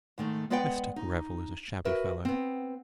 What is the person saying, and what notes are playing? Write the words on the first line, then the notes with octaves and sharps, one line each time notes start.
Mr. Greville is a shabby fellow!
G#2 D#3 A3
G#3 B3 B4 D5 F#5 G5
D#4
F#4 A#4 B4 E5
B3 C4